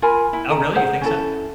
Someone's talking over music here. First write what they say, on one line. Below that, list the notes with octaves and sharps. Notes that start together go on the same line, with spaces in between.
Oh, really? You think so?
F4 A#4 G#5 B5
E4
A4 A#5
G#4 C5 F#5
C#4 E4 A4